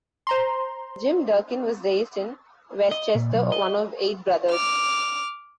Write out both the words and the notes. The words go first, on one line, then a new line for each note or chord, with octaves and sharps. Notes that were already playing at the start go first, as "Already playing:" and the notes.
Jim Durkin was raised in Westchester, one of eight brothers.
C5 A#5 C6
D#5
A#2
B1
D#5
D6 F6